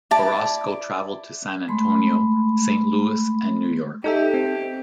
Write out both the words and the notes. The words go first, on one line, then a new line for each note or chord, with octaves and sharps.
Orozco traveled to San Antonio, Saint Louis and New York.
E4 D5 A5
G#3 A3 B5 C6
D#4 G4 A4 E5
C4